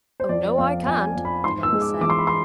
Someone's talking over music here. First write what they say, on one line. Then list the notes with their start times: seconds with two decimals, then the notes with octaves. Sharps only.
"Oh, no, I can't!" the bunny said.
0.20 C5
0.29 F2 D5
0.58 F2 F5
0.86 F2 G#5
1.15 F2
1.25 B5
1.44 G#2 C6
1.63 E6
1.73 G#3
1.82 D6
2.01 E3 D6
2.10 C6
2.19 B5
2.27 C6